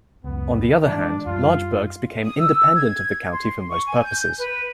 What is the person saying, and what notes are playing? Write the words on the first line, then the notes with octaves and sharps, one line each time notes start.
On the other hand, large burghs became independent of the county for most purposes.
C#2 F#2 B3
E3 F3 G#3 D4
F#2 G3 F4
D#6
E6
G#6
C6
C#6
G#5
G6
B4